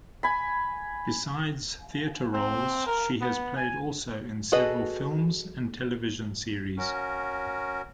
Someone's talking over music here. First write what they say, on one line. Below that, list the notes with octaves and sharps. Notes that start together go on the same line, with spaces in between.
Besides theatre roles she has played also in several films and television series.
G#5 B5
C4
A#4
B3
G#5
F#4 G#4 A4 B4 D#5
C#4 F#4 A#4